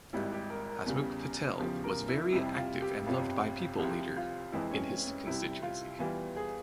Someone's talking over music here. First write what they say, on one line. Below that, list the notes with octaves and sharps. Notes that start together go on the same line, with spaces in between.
Hasmukh Patel was very active and loved by people leader in his constituency.
G#1 G#2 G3 E4
G4
A#4
A#4
E2 C#3 G3
E2 C#3 F3 G4
A#4
E4
F2 C3 G3 E4
F4
G4
G1 F2 C3 F4
C2 C3 F3 G4
F4
F2 E3 G#3 E4
C#4
C#4
C#4
C2 C3 G3 E4
F4
E2 E3 G3 F4
G#4